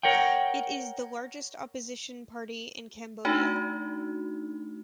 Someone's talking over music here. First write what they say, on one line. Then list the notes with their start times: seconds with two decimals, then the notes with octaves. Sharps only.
It is the largest opposition party in Cambodia.
0.03 A#4 C#5 F#5 G5
3.25 A3 D4 D#4 F#4